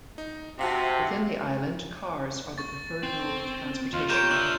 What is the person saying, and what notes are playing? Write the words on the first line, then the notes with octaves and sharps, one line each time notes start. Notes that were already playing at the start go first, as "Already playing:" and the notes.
Within the island, cars are the preferred mode of transportation.
D#4
C3 F#4 E5 F5 G5 A5
C#6 A6
C4
D#2 F4
G4 A#4 C5 C#5 G6 E7
D4 E5 F#6